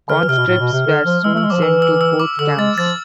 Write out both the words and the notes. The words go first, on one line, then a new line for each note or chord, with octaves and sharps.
Conscripts were soon sent to both camps.
D3 F6
E3
C3 F6
B2
A2
B2
C3
D3
F3
G#3 E6
A3
E6
G#3
F3 D6
E3 E6
E6
E6
D6
D3 E6
G#3 A6
F3 A6